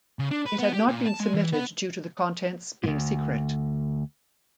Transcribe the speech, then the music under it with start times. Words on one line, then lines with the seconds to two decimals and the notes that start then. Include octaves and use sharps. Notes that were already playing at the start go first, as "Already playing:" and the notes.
It had not been submitted due to the contents being secret.
0.19 C#3
0.31 D4
0.46 B4
0.59 B3
0.73 G4
0.88 A#2
1.06 A5
1.20 G#3
1.35 E3
1.53 B3
2.84 D2 G#2